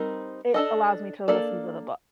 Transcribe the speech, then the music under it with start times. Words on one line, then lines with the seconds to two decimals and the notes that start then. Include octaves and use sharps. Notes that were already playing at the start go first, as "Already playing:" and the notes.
it allows me to listen to the book
Already playing: G3 C4 D#4 A#4
0.54 D4 A4 D#5
1.28 A#3 D4 A4 D5